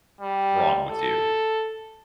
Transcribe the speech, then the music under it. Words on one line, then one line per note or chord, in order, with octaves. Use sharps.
wrong with you,
G3
A4